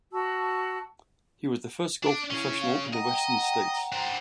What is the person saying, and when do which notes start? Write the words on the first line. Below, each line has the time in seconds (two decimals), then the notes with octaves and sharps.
He was the first golf professional in the western States.
0.13 F#4 A5 E6
2.03 D4 D5
2.30 C#4 E4 G#4
2.61 F5
2.93 D#5 F#5 G5 A#5
3.92 D4 C5